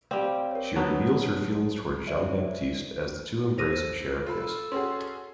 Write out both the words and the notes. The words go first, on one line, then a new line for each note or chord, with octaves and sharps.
She reveals her feelings toward Jean-Baptiste as the two embrace and share a kiss.
G3 C4 D5 F5 D6
A#4 C#5
F#3 B3 A5 D#6
C5 D5 E5
A4 C5 A#6 D#7
F4 A4 B5
C#4 F#4 G#4 C6